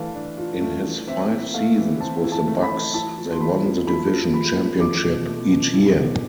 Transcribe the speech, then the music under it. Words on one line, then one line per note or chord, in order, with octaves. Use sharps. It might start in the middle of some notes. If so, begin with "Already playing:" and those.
In his five seasons with the Bucks, they won the division championship each year.
Already playing: E3 A3 D4 F5 A5
D4
F4
A3
E3
C4 E5
E4
A3 F5
E3
C4 A5
E4
A5
A3
B5
E3
E4 A5
F3
C6
A3 B5
F3
E4 B5
F3
A3 B5
F3
E4 D6
B2
A3
B2
E4
B2